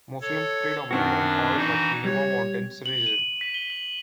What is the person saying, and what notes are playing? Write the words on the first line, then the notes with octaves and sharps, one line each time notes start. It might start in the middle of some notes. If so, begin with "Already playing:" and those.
Muslims predominate in all but Nuba Mountains region.
A4 C#5
F#2 D#3 C4 D4 F#4
E3 D4 D#4 F#4
G3 C#5
F#7
D#7
B6
G7
F#7